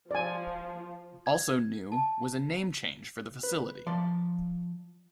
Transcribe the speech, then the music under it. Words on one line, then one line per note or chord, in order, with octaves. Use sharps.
Also new was a name change for the facility.
F3 D5 G#5
G#6
A5
B4
F3 D5 C6